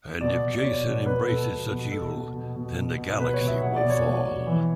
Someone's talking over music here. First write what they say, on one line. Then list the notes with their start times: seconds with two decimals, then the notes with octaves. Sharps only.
And if Jacen embraces such evil, then the galaxy will fall.
0.21 B2 D5
0.43 B2
0.55 D5
0.64 B2 C#5
0.86 B2
1.06 B2 B4
1.27 B2 A4
1.49 B2
1.70 B2
1.91 B2 A4
2.14 B2
2.34 B2
2.56 B2
2.78 B2
2.98 B2
3.19 B2 B4
3.34 C#5
3.40 B2
3.47 E5
3.62 B2 F#5
3.76 D5
3.84 B2
3.90 C#5
4.04 B2
4.26 B2
4.47 E3